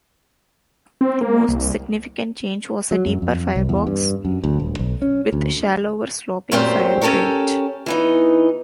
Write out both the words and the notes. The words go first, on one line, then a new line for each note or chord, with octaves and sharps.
The most significant change was a deeper firebox with shallower sloping fire grate.
C4
A#3
C2
F#3
F#2
F2
C2
E2
G2
F#2
D2
D#1
B1
C#4
D2
F#2 A#2 A3 C4 G4 C5
C#4 G4 A4 A#4 C#5
E3 B3 D#4